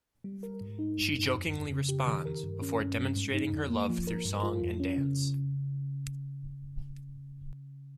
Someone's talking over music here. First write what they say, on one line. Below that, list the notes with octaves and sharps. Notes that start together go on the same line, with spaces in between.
She jokingly responds, before demonstrating her love through song and dance.
G3
A#4
G#2
D#4
G2
G2
F2
F2
C#3
G4
D#3
A#4
G2
C#4
G2
G2
G#2
D#4
F2
A#3
F3
A#4
G2
F4
F2
C#4
C#3